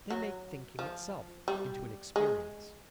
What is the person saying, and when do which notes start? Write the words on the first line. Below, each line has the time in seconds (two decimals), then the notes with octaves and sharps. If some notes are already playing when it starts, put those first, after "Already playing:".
They make thinking itself into an experience.
0.10 F#3
0.79 F3
1.48 G3
2.16 G#3